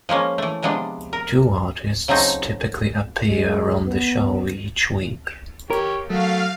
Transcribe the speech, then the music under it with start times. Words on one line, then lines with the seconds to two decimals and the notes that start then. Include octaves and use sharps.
Two artists typically appear on the show each week.
0.09 F3 G#3 A#3 C#4
0.38 E3 A3
0.62 C3 F3 G#3 B3 D4
1.13 A#4
2.08 C#3 F#3 A3 C4 D#4
3.26 G#3
3.86 B3
5.70 G4 A#4 C#5
6.10 F#3 A3 F#4 F5